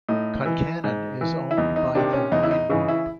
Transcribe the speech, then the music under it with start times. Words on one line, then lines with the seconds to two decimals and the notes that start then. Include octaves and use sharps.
Concannon is owned by The Wine Group.
0.08 A2 D#4
0.45 E3
0.84 G#2
1.21 E3
1.51 E4
1.57 E2 D#4
1.76 D#4
1.95 C3 D#3 D4
2.13 C#4
2.32 E2 D#4
2.43 E4
2.51 D#4
2.69 C#3 E3 D#4
2.88 E4